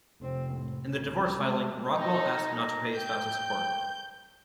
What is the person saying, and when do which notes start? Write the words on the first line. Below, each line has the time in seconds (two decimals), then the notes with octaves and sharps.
In the divorce filing, Rockwell asked not to pay spousal support.
0.20 F1 C4
0.53 A2
0.98 C2
1.36 G#3
1.97 D#4 A4 A#5
2.54 A#5
2.96 G5 G6